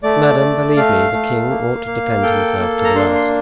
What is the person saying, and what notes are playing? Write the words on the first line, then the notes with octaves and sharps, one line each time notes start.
"Madame, believe me, the king ought to defend himself to the last."
A3 D5
A3
A3 F5
A3
A#3
A#3
A4 G5
A#3
A#5
D4 C6
C6